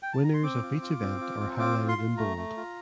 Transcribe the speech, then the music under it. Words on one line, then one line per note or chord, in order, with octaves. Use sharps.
Winners of each event are highlighted in bold.
G5
A5
A#5
C6
C4 D6
F4
F4
C4
F4
C4
F4 D6
F4
C6
F4
A3 A#5
A3
F4